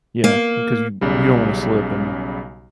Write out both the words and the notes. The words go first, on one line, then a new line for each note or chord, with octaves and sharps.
Yeah, because you you don't wanna slip and
A#3
B1 C#3 G3